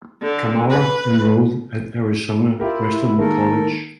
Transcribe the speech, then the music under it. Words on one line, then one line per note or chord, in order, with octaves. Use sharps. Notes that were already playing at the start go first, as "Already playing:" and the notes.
Kamara enrolled at Arizona Western College.
D3
B4
E4 F4 G4 A#4
D#3 G#3 A#3 A4 A#4